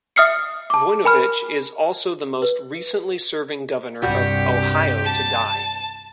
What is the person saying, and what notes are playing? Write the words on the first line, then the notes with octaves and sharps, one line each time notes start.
Voinovich is also the most recently serving Governor of Ohio to die.
E5 D#6 F6 C7 C#7
A5 D6
A#4 G#5 B5 F6
B4
C2 G2 G3 F#4 G4
A5